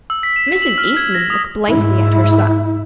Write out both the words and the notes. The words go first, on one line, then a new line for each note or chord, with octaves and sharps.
Mrs. Eastman looked blankly at her son.
E6
B6
E7
F#7
F6
G#6
A#6
D#6
G#2 E4